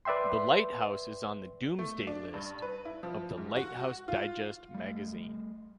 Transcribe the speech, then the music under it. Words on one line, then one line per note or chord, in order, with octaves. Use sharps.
The lighthouse is on the "Doomsday List" of the "Lighthouse Digest" magazine.
B4 D5 E5 G5 C6
A3
D4
G2
B4
E4
F3
G#2
F#4
F4
G3 A3